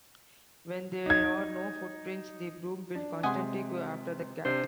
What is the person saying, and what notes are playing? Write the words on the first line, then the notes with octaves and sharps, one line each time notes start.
When there are no footprints, the broom will constantly go after the cat.
D#4 G#6
D4
C3 G#3 D#5 F#5 G#5 C6
C3 D4 C5